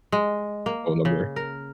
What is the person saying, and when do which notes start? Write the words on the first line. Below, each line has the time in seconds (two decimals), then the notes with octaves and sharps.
phone number.
0.12 G#3
0.66 A#3
1.05 C#3
1.36 A#4